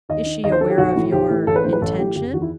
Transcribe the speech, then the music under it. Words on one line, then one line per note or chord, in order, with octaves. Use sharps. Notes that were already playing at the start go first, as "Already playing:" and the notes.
"Is she aware of your--intention?"
D#2 D#5
D#3
D#2 D#5
C5
D#3 A4
G4
B1 F#4
A2 E3
B1 G4
A2 E3
A1 A4
B4
A2 E3 C5
B4
A1 A4
A2 E3 G4
F#1 G4
E2 D#3 F#4
E4